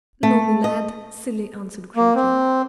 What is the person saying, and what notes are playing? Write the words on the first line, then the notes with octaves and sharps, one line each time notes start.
"No, me lad," Cilley answered gravely.
A3
D#5
A#3
C4